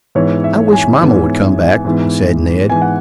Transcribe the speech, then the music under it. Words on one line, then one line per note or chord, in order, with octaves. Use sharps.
"I wish mamma would come back," said Ned.
G#2 E3 B3 C#5
E5
G#5
G#2 E3 B3
G#2 E3 B3
G#2 E3 B3 G#5
F#5